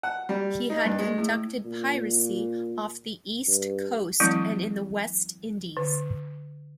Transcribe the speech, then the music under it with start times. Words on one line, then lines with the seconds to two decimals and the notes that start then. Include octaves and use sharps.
He had conducted piracy off the East Coast and in the West Indies.
0.03 F#5
0.29 G3
0.70 D#4
0.86 G2
0.99 G#3
1.18 A2
1.65 A#2
3.48 G2
4.20 E3 F#3 G#3 C4 E4
5.77 D3